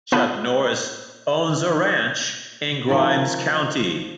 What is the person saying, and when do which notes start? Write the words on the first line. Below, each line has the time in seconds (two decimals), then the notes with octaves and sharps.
Chuck Norris owns a ranch in Grimes County.
0.12 B3 F4 B4 A5
2.89 D#3 F3 A#3